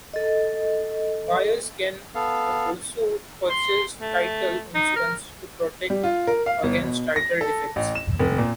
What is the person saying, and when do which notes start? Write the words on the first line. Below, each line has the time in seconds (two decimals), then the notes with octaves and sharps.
Buyers can also purchase title insurance to protect against title defects.
0.14 A4 D#5
2.15 B3 A4 F5
3.50 C6
4.01 A3
4.75 D#4
4.96 A#4
5.90 G3
6.04 F4
6.27 A#4
6.46 F5
6.63 G1
6.82 B2
7.16 A#6
7.41 A4
7.76 A1
7.95 E7
8.19 F1
8.38 A#2